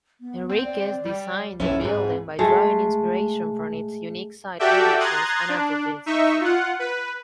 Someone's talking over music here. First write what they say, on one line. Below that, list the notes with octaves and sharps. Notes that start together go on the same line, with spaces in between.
Henriquez designed the building by drawing inspiration from its unique site conditions and adjacencies.
B3
C4
D5
G3
B1 C#4 E4 A4
G#2 C4 G#4 B4
G#3 A3
F#4 G4 A4 D5 E5 G5
A#5 C6 D#6 F#6 G#6 A6
D4
D#4 E5 C#6
F4 F#5
B4